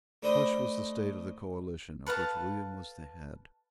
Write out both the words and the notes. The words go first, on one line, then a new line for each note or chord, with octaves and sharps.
Such was the state of the coalition of which William was the head.
A3 D4 B4 C5 D#5
A4 B4 F5 A5